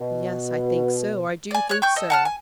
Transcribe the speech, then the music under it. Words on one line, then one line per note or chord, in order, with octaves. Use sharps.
"Yes, I think so; I do think so."
B2
D5 G#5
C#5 F#6
G5 C#6 G6
A4 D#5
F#5 A5 F6
G#5